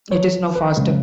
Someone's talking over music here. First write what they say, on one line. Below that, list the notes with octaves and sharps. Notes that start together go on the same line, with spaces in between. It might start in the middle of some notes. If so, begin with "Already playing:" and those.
It is now faster.
C#5
B4
C#3 G#3